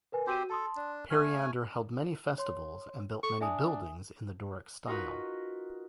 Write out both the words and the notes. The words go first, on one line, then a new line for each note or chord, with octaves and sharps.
Periander held many festivals and built many buildings in the Doric style.
A#4 B4 G#5
C4 F#4 G4 C5 D#7
A4 A5 C6 D#6
D4
A3 G#5 F6
C#5 C6
A4 C#6
D4 E5 G#5 D#6
D#4 F4 F#4 A#4 B4